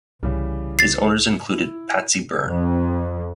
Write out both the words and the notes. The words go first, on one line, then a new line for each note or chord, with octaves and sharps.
His owners included Patsy Byrne.
C2 C#3 E3 G3
A6 C7
E4
F2